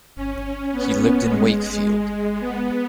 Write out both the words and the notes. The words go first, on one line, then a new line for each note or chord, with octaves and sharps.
He lived in Wakefield.
C#4
B3
G#3
G#3
B3